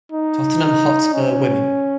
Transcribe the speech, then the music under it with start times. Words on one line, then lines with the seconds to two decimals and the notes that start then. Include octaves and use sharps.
Tottenham Hotspur Women.
0.12 D#4
1.14 C#4